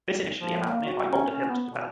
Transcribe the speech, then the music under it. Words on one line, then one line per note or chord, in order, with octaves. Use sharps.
This initially allowed nearby Boulder Hill to develop.
F3
A#3
F#4
C#4
C#4
B3
B2